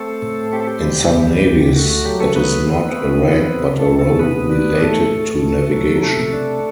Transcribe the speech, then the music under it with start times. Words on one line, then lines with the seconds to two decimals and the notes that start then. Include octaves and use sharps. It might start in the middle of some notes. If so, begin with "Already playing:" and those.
In some navies, it is not a rank but a role related to navigation.
Already playing: A3 C4 A4
0.22 A2
0.53 C4 G4
0.60 A4
0.67 G4
0.83 G3
1.14 D2
1.44 D2
1.75 A3 F#4
1.90 F#4
2.05 F#3 G4
2.20 A3 A4
2.36 A3 B3 B4
2.66 C4
2.97 A3
3.28 C4
3.58 C3
3.78 A3 A4
3.88 C3
3.99 A3 A4
4.19 C3 B3 B4
4.49 D4
4.75 G4
4.80 A2 A3 A4
5.11 A2
5.42 A2
5.72 F#3
6.02 C3 A3 A4
6.33 D4